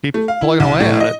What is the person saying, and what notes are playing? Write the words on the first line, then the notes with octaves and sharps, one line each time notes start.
keep plugging away at it.
A3
F5
E4
C2
A2
D#5